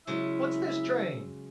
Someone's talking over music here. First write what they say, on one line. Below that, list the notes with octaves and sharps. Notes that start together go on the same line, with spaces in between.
"What's this train!"
C#3 F#3 G#3 E4 E5